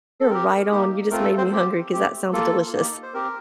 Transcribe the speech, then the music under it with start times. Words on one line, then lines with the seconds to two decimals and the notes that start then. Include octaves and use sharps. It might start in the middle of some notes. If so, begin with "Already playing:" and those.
You're right on, you just made me hungry, 'cause that sounds delicious.
0.21 A4
0.30 C4 G4 A#4
0.71 A#3 D#4 G4
1.11 A3 C4 F4 A#4
1.24 A4
1.38 C4 C5
1.52 C4 G4
1.92 A3 C4 G4
2.33 A#3 F4 A4
2.73 A#3 D#4 G4
3.03 C5
3.14 C4 G4 A#4